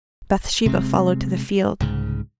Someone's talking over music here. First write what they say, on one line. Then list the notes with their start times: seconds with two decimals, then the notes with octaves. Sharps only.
Bathsheba followed to the field.
0.66 C3 G#3 C4
1.80 C2 G#2 C#3